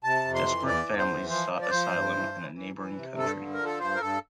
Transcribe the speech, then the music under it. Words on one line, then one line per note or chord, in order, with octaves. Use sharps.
Desperate families sought asylum in a neighboring country.
C3 A5
F2
C6
E3
E2 D5
E2
C5
E3
F3 C5
F3
D5
F3 C5
G2
E3
E3
E3
E3
C3
G2 A4
D3
A#4
F3
A4
G2 C5
A#4
G2 A4